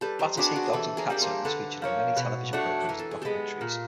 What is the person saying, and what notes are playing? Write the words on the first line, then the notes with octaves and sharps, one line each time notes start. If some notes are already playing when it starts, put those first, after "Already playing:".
Battersea Dogs and Cats Home has featured on many television programmes and documentaries.
G3 A4 B4
A#4 C5
B3 D4 F#4 G#4
F#4 G#4
E3 G4 A4
G#4 A#4
G3 A#3 D4
A#4 C5
D3 A4 B4
F3 A#3 C#4
B2
F#3 A3 D4
E3 A#4
A4
G#4
G#3 B3 G4 A4
A#2